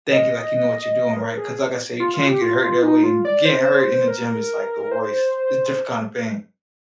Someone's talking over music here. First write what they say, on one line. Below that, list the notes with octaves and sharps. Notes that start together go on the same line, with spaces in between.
thinking like you know what you're doing, right? 'Cause like I say, you can get hurt that way, and getting hurt in the gym is, like, the worst. It's a different kind of pain.
D#5
A#4
G#4
F4
F4
G4
F4
F4
D#4
F4
D5
C5
A#4
C5